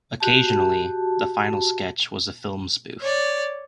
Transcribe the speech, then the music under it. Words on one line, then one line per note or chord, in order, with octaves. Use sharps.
Occasionally, the final sketch was a film spoof.
F#4 G4 A5
C#5 D5